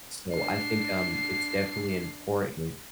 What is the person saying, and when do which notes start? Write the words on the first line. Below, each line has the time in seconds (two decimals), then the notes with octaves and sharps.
So I think, um, it's definitely important
0.33 D4 C7